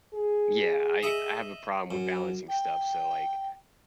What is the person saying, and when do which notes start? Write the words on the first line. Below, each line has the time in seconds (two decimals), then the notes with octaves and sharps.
Yeah, I I have a problem with balancing stuff, so, like,
0.14 G#4
1.03 D#5 E5 B5
1.91 F#2
2.48 G5